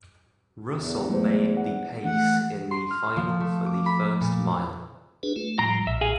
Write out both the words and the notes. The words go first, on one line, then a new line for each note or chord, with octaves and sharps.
Russell made the pace in the final for the first mile.
E2
F#3 A3 C5
F#5
E3 A3 F#5
C6
F6
F3
A3
D6
B5
A#2
D4 G#4 B4
A3 F4
A2 F3 G3 A#5
B1 A#2 E5
G#4 F5 G#5